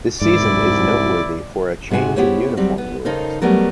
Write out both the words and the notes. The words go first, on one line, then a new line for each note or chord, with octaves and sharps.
This season is noteworthy for a change in uniform rules.
C2 G#2 E4 D5
G#2 C3 G#3 F#4 G#5
B3 E4 G4 G#4 C5 C#5
F#3 G3 C4
B3
C#3 D#4 A4 A#4 C5
F#3 G3 A3 B3 A#4